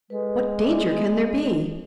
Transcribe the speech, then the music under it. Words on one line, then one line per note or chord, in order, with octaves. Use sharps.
"What danger can there be?"
G#3 A4 B4
D5 E5 D6
B3